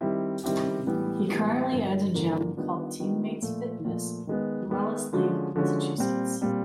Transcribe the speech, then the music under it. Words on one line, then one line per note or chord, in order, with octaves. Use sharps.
He currently owns a gym called Teammates Fitness in Wellesley, Massachusetts.
D#3 G3 C4 E4 G4
D#3 G3 C4 E4 G4
A2 E3 G3 B3
A2 E3 G3 B3
G2 D3 F3 A#3
G2 D3 F3 A#3
D#3 G3 B3 D4 F4
D#3 G3 B3 D4 F4
A#2 F3 A3
A#2 F3 A3
D#3 G#3 B3
D#3 G#3 B3
D3 F3 G#3 C#4 F#4
D3 F3 G#3 C#4 F#4
A#2 G3 C4
A#2 G3 C4